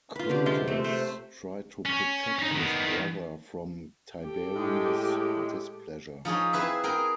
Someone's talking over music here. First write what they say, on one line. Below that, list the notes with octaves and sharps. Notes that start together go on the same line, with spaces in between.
Quintus tried to protect his brother from Tiberius' displeasure.
F4 B4
D3 C#4 G4
C3 G#3 F4 G5
A3 C4
A3 C5
C#4
C#4 D#4
D#3 B3
G4 A4
A2 G#3
F3 D#4 G#4 C#5
C4 E4 G#4 B4 E5
G#4 A#4 G5 G#5